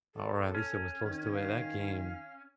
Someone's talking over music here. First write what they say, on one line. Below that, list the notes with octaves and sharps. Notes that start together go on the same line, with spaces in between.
or at least it was close to it. That game
A4
C#4
D#3
F5